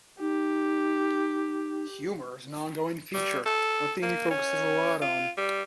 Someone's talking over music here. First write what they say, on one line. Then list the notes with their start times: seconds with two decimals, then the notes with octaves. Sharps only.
Humor is an on-going feature, a thing he focuses a lot on.
0.20 D#4 G4
3.14 G3
3.46 A4
4.02 A#3
4.30 C#4
5.01 F4
5.37 G3